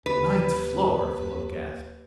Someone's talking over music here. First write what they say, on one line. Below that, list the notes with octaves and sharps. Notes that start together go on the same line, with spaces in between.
"Ninth floor!" Philip gasped.
D#2 B4